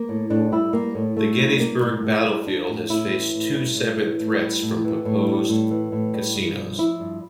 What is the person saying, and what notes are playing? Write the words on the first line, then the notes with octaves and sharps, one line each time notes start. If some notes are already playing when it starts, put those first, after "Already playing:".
The Gettysburg Battlefield has faced two separate threats from proposed casinos.
Already playing: A#3
A2
A2 D4
G3 E4
G3 A#3
A2
A2 A3
G3
G3 A#3
A2
A2
G3
G3 D4
A2
A2 E4
E3
A2
G3
A2
E3
A2
G3
A2
E3
A2
G3
A2
E3
A2
G3
G2
F3
F3 E4
G2